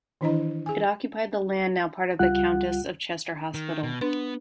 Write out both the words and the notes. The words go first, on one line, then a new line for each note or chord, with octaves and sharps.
It occupied the land now part of the Countess of Chester Hospital.
D#3 E3 D4 E4 D#5 A#5
G#4 G#5
C#2 G3 F4 F#5 F#6
D#3
B2
B3 D4 B4